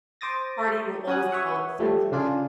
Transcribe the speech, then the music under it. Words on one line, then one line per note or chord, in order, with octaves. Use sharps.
party will always call it censorship
C5 D6 D#6 A6 A#6
C#4 F#4 G#5 D#6 F#6
C#5 E5 F#5 D#6
F3 G3 A3
C#3 D4 F4 G#4